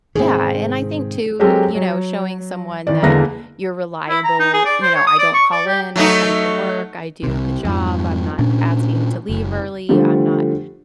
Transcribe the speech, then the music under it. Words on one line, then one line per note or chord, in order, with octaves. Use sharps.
Yeah, and I think too, y you know, showing someone that you're reliable, you know, I don't call in, I come to work, I do the job, I'm not asking to leave early, I'm not
G#2 C3 D#3 C4 G#4
F#3 G#3 C4 G4 A4 A#4
F#3
D#3 E3 D5
E2 D3 G#3 A#3 B4 A#6
E4
A#5
D#4
G#4
D5
C5
C#5
D#6
D5
C#6
D5
G4
F#3 A3 D#4
C2 C3
F2 G#2
A#2 C#4 D4
F#1
D3 F3 G3 A3